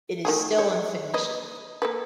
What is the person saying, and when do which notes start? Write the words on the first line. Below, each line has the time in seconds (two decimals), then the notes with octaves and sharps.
It is still unfinished.
0.25 D#3 A3 G#4
0.58 G4 C#5
1.14 A#3 B4 D#5
1.82 A#3 A4 B4